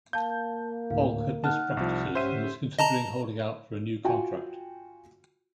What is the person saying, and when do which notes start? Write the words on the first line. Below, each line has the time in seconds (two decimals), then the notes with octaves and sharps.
Faulk had missed practices and was considering holding out for a new contract.
0.13 A#3 F5 A5 G6
0.90 D2 A2 F5
1.44 D#4 F#5 A5 F6 F#6
1.77 C2 F3
2.15 G#2 C#4 G4 C5 E5 D#7
2.79 D#5 A5 A#5
4.04 F4 F#4 G5 G#5